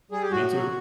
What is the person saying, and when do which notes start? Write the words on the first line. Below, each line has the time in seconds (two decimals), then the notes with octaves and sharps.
Me too.
0.11 G3 G#4
0.22 G4
0.31 A2 F#4
0.52 F#3